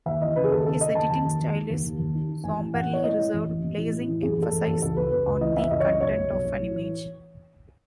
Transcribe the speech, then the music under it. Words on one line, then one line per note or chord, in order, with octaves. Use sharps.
His editing style is somberly reserved, placing emphasis on the content of an image.
D#2 E5
E3 D#5
C#3 B4
G#4
D#2 A4
C#3 A4
C#3 D#5
D#2 A5
D#2 A5
D#2
D#2
D#3
D#2
D#2
D#2
D#3
D#3
A1 G#5
A2
A1 F#5
E3 C#5
A2 D#5
A2
A1
A1
A1
A2
A2
E3
A1 G#4
A1
A4
A1
A4
A1
C#2 A4
C#2 B4
C#2 B4
C#2 B4
E3 D#5
E3 E5
C#2 D#5
C#5
C#3 D#5
B1 C#5
B1
B1
B1
A2
E3